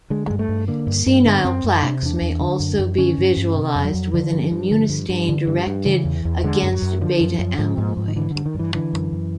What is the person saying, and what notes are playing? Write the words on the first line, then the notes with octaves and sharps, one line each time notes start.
Senile plaques may also be visualized with an immunostain directed against beta amyloid.
D3 G#3
G2 G#3
A3
G2
D3 A#3
G2
G2
D3 B3
F#2 C4
F#2
C3 D4
E2 D4
E2
D3
F#2
F#2
D3 C#4
G2
G2
C3
F2
F#3
F2
D3 F3
G2
G2
D3
G2
G2
D3
G2
G2
C#3 E3
E2
E2
D3 G#3
F#2
F#3
F#2
D3 F3
F#2
F#2
G#2 F3
G#2
G#2
D#3
D3 E3
D3
G2
D#3
G2 E3
D3 E3
F#2
F#2